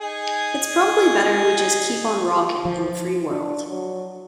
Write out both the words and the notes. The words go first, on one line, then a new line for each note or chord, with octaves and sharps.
It's probably better we just keep on rockin' in the free world.
D#4 G#4 G#5
F3
D4
F#3